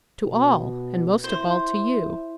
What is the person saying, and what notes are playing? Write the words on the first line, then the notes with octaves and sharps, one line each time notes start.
"To all, and most of all to you."
B2
E4 C5